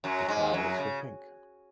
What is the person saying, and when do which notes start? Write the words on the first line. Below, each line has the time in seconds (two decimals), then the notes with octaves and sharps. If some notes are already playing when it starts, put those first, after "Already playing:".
The flowers were pink.
0.04 F#2 F#3
0.29 G#2 G#3
0.53 F#2 F#3
0.78 C#3